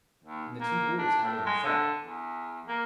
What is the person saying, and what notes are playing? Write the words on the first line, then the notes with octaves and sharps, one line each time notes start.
And the two bulls at it and fought.
D#2
A#3
D4
A2
G#3
D3
E2
A#3